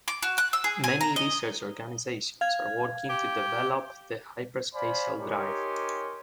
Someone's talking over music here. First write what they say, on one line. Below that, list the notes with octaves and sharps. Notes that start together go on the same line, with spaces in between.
Many research organizations are working to develop the hyperspatial drive.
D6
F#4
F#6
E6
G#4
G#5
A#5
D#5
F5 G#6
G4
C5 D5 F5 G#5 B5
D#4 G4 A#4 C#5 G#5 C6